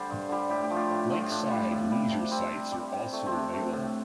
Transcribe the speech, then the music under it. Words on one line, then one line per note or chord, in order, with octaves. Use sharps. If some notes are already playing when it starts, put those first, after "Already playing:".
Lakeside leisure sites are also available.
Already playing: D3 G3 C5
G2
D3 G3
A2 G4
G4
F3 A3
F4
A2
F3 A3
A2 D4
G3
A2
G3
C3 D4
G3 C4
C3
G3
C3
A3
C4
C3 D4
A3
A2